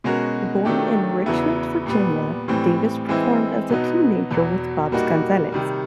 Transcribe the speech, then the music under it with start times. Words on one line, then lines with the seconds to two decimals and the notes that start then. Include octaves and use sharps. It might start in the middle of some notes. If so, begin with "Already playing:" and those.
Born in Richmond, Virginia, Davis performed as a teenager with Babs Gonzales.
0.04 B2 G#3 C#4 F#4 A#4
0.65 D#3 F#3 A3 D4 G4
1.26 E2 C#3 F#3 B3 E4
1.87 A#2 G3 B3
2.48 A2 E3 G3 C4
3.09 E3 G#3 C4 E4
3.70 B2 F#3 B3 D#4
4.31 E2 B2 F#3
4.91 A#2 G3 A#3 D#4 F#4
5.52 C3 D#3 G3